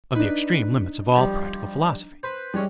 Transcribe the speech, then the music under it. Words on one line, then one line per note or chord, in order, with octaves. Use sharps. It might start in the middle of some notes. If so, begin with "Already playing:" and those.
Of the Extreme Limits of all Practical Philosophy.
D4 D#4 B4
F3 G3
B4 C5
G3 G#3 C#4 D4